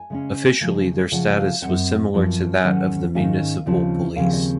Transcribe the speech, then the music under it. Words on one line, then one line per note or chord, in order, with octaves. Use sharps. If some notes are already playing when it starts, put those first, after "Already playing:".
Officially their status was similar to that of the Municipal Police.
Already playing: G#5
C#3 G#3 C#4
C#3 F3 G#3
C#3 F3 G#3 F#5
F#5
F5
F#2 F3 C4 F#5
F#2 F3 C4
G#2 D#3 F#3 C#4 F#5
G#2 D#3 F#3 A#3 C#4 F5
D#2 C#3 F3 C4
D#2 C#3 F3 C4 F5
D#5